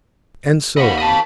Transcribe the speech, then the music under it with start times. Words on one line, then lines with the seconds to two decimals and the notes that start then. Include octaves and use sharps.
And so on.
0.77 D#2 D#5 F#5 B5
0.98 D#5 A5